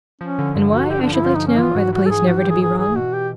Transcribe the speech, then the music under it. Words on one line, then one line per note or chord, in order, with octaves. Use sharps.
And why, I should like to know, are the police never to be wrong?
F3 C#4
D3
G2
D3 F#4
D3 G4
D4
F3
E4
F3 F4
D#4
F3
C#4
E3 F4
G#2 F#4
E3 F#4
A4
G#2 G#4
G#2 F#4
G4
E3
G#4
G#2 G#4
E3 G#4
B2 F#4
B2 G4